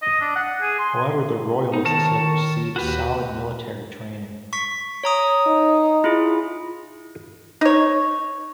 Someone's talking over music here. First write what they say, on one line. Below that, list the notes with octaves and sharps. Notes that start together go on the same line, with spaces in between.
However, the royalists had received solid military training.
D#5
D4
F#5
G#4
C6
B3 D#4
D#3 A#4 C#5 A5
D#3
D#2 F#4 G4 B4
C#6 B6
C#5 A#5 D#6
D#4
E4 F4 G#4
D#4 C#5